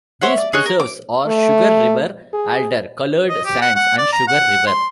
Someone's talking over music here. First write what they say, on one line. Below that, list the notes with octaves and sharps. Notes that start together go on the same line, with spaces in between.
These preserves are Sugar River Alder, Colored Sands, and Sugar River.
C5 C#5 E5 F#5
D5
G#4 C#5 D#5 F#6
A#4
D6
A3
G#4
D#5
G4
F#5
F#5
D5
A#5
F#5
C6